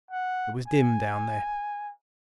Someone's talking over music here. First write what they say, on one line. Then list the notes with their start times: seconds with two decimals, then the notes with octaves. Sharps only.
It was dim down there.
0.11 F#5
0.68 G#5